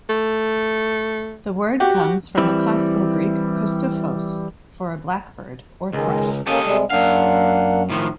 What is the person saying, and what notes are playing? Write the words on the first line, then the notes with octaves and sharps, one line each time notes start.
The word comes from the Classical Greek "kossuphos" for a blackbird or thrush.
A3
F#4 G4
E3 G3 C4 E4
C#2 D#3 G#3 D#5
A#3 C#4 G4 A4 D#5
C3 G3 G#3
F#2 A#3 D4 F5 F#5
A2 D#3 F3